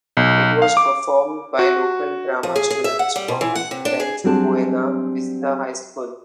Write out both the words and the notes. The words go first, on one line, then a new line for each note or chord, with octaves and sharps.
It was performed by local drama students from Rancho Buena Vista High School.
B1
F5
D6
F#4
F3
G#4
G#4
E5
F#5
G3
B2
E3
F#5
C3
D4
G#4
F#3 G3 C4 D4 G#4 A5